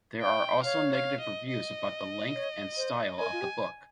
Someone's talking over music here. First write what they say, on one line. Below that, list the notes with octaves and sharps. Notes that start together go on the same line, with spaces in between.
There are also negative reviews about the length and style of the book.
F5 G5
C#5 F5
F5
D#5
D#5
C#5
C5
A#4 G#5
F4
G4